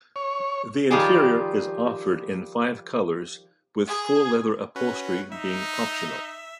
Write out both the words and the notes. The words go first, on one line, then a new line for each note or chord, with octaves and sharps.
The interior is offered in five colours with full leather upholstery being optional.
C#5
D#3 F3 G3 F4 G4 G#4
G#4
C#4 F#4 B4
D#4 E5